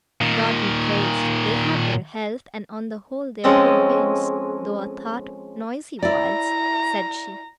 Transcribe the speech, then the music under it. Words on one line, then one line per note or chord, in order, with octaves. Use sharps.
"God be praised, they have their health; and on the whole they are good bairns, though a thought noisy whiles," said she.
A#2 D#3
F3 G#3 C4 C#4 A4 D#5
E4 D5 A#5